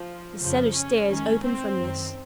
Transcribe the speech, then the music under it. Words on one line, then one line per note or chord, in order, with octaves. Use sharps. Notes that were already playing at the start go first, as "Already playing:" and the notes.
The cellar stairs opened from this.
Already playing: F3
F2 C#3 F3
C#4
G#2 D#3 C#4
C4
F#2 D#3